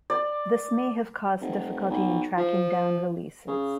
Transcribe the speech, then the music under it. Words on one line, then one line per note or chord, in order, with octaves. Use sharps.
This may have caused difficulty in tracking down releases.
D5
F1
B1
F3
C#3